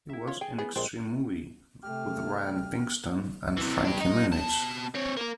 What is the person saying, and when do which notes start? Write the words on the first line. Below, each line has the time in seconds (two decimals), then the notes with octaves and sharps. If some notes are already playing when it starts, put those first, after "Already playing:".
He was in "Extreme Movie" with Ryan Pinkston and Frankie Muniz.
0.10 E4 E5
0.27 F4 C#5
0.41 G#4 G5
0.58 B3 G#4
0.76 A#1 G#3 C4 D5 A5
1.83 C3 A3 G4 F6
3.57 C3 E3
3.85 D4 G4
4.01 D#4
4.33 B2 A5
4.95 C4 C#5
5.17 A#3 A#4